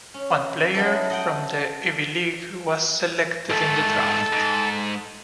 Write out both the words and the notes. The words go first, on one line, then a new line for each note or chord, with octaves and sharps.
One player from the Ivy League was selected in the draft.
C#4
F#3 D#4 E4 A4
D#5 F#5 G5
G#2 A3 A4
G#2